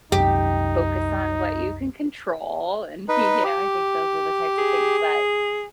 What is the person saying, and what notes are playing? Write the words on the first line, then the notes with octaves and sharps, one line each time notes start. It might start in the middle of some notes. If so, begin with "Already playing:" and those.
focus on what you can control, and, y you know, I think those are the types of things that
C2 F#2 D#4 G4
D#4 B4
G4
G#4